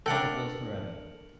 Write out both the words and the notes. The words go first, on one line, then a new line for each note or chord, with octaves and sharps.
Harvey Girls Forever!
D4 A4 A#4 F#5 G5 A#5